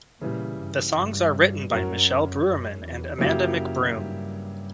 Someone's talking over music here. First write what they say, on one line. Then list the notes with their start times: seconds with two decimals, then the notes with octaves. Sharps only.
The songs are written by Michele Brourman and Amanda McBroom.
0.21 A#2 C#3 E3 G3
0.59 G2
0.96 G2
1.70 F#2 F#3 C#4 F#4 A#4
2.45 F#2
2.82 E2
3.18 F#2 C#3 F#3 A#3 E4 G4
3.93 G2